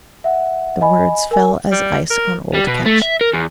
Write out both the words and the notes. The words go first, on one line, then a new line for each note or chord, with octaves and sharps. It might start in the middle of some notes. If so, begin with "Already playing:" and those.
The words fell as ice on old Ketch.
E5 F#5
D#5 G#5 B5
A#4 G#5
G3
A#4
G3
B2
A3
E5
A#4
E2